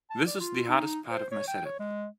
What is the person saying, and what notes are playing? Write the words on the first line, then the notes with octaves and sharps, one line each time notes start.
This is the hardest part of my setup.
A5
D5
F4
D#4
C5
C#5
G5
C#5
G#3